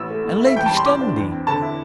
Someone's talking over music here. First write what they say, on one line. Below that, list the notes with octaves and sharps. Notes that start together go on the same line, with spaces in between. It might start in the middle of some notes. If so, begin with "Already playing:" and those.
And Lady Stanley!
Already playing: A1 E6
A3
A2
E4
E5
E2 G5
G3 A5
C6
E3 D6
D4
E2
C4
D3 A5
E4